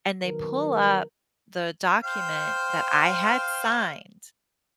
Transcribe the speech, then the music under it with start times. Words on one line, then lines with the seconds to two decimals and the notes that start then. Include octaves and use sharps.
And they pull up the document that I had signed,
0.25 D#3 F#3 B3 A#4
2.04 C5 F5 G5